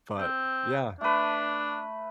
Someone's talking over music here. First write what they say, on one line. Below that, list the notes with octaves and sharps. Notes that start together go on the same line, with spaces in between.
but yeah.
C4
A3 D4 B4